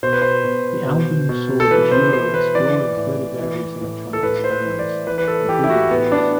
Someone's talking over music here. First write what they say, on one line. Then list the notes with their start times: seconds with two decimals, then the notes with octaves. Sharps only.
The album saw the duo exploring further various electronic styles, including house.
0.03 B2 C5
0.13 B4
0.22 C5
0.45 B2
0.87 B2
1.29 B2
1.60 A4
1.71 E3 B4
1.91 C5
2.13 E3 C5
2.34 B4
2.55 E3 D5
2.97 A2
3.39 E3
3.81 A2
4.13 A4
4.23 A2 B4
4.44 C5
4.51 B4
4.65 E3
4.79 D5
5.07 E3 B4
5.18 B4
5.28 A4
5.49 E3 G4
5.64 E4
5.70 F#4
5.91 A2 B3
6.12 D4